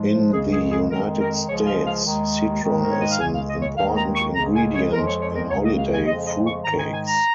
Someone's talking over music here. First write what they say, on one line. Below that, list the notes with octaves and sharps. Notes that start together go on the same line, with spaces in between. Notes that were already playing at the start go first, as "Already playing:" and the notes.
In the United States, citron is an important ingredient in holiday fruit cakes.
Already playing: G#2 F3 G#3
C#2 C#3 G#3 G#4
G#4
G#4
F2 D#3 G#3 A#4
A#4
C#2 C#3 F3 G#3 C#5
F5
F5
D#2 D#3 G#3
G#2 D#3 G#3
A#4
C#5
D#5
F5
C#2 C#3 G#3 G#5
F5
D#5
C#5
D#2 D#3 G#3 F5
A#5
C#6
C#2 C#3 G#3 A#5
G#5
C#5
F2 F3 G#3 A#4
C#5
C#5
A#4
C#2 C#3 G#3 C#5
D#5
F5
G#5
F2 C#3 F3 G#3 D#5
D#5
C#6
G#2 D#3 G#3 A#5
G#5
G#5
A#5